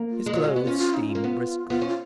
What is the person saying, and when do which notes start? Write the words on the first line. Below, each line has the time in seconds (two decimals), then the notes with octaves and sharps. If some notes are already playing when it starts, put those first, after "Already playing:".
His clothes steamed briskly.
Already playing: A#3
0.10 F4
0.26 G#3
0.33 F#3 F4
0.44 G#3 F#4
0.56 B3
0.64 C#4 F4
0.78 F4
0.94 D#4
1.10 F4
1.15 A#3
1.24 B3
1.69 B3 F4
1.81 C#4
1.88 F4